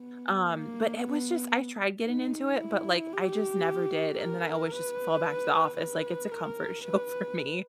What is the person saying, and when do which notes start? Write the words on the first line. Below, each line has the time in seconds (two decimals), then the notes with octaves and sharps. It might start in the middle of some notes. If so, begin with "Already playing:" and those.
um, but it was just I tried getting into it, but, like, I just never did, and then I always just fall back to The Office, like, it's a comfort show for me.
Already playing: B3
0.46 A#3
1.00 B3
2.06 D#4
2.59 E4
3.13 G4
4.19 A#4
4.72 B4
5.78 B4
6.32 A#4
6.85 B4